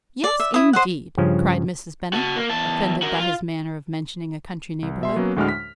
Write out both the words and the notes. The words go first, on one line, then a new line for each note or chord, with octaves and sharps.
"Yes, indeed," cried Mrs. Bennet, offended by his manner of mentioning a country neighbourhood.
D5
E5
E4 D#6
C5 D#5 F#5
G2 C#3 F3 C#4
F#4 A5
A#3
E2 A5
F#4 A#4
F4
C2
B2 E5 C6
F#3 A#3 B3 C#4
D2 A2 G#3 D4 F#4 F6
B6